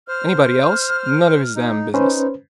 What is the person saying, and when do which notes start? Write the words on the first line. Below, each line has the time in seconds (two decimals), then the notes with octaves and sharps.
Anybody else, none of his damn business.
0.08 C5 F6
1.56 D#4
1.94 C#4 D#4 B4 C5